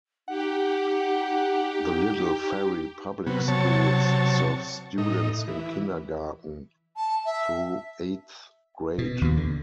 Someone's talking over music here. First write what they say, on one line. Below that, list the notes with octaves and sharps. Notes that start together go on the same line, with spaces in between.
The Little Ferry Public Schools serve students in kindergarten through eighth grade.
D#4 G4 F#5
C3 F#3 B3
C3 F#3 C#5 A5
A2 D#4
E3
A5
E5
B2
D#2 B2
D3